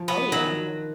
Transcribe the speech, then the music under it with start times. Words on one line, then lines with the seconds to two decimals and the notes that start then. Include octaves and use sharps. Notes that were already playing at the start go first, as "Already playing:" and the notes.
Oh yeah.
Already playing: F3
0.08 B3
0.32 D#3 F#3